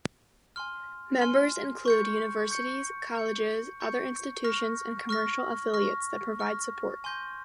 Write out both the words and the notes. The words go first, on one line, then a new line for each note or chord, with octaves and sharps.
Members include universities, colleges, other institutions and commercial affiliates that provide support.
G#5 C6 F6
G#5 C6 F6
C#6 G6 C#7
C#6 G6 C#7
C#6 G6 C#7
C#6 G6 C#7
C#6 F6 A#6
C#6 F6 A#6
C#6 F6 A#6
C#6 F6 A#6
G#5 C6 G6 A#6